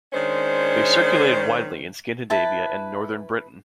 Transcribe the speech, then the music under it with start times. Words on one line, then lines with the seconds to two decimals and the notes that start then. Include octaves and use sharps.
They circulated widely in Scandinavia and northern Britain.
0.13 D#3 G#3 C#4 D4 C5
2.30 E4 B4 A5